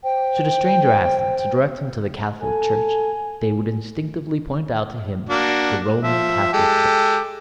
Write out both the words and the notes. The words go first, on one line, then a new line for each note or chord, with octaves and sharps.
Should a stranger ask them to direct him to the Catholic Church they would instinctively point out to him the Roman Catholic Church.
C5 G5
A4 G#5
A#3 D4 F#4
F3 E5
G#3 G4 A4